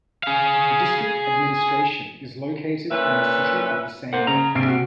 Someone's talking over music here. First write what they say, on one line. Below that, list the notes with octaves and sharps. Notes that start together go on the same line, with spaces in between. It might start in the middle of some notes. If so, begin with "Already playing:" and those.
The district administration is located in the city of the same name.
G#4 F5
A#2 C#4 B4 E5
A#3 C5 F#5
C#3 A#5
A#1 C3 C7 D7
F#4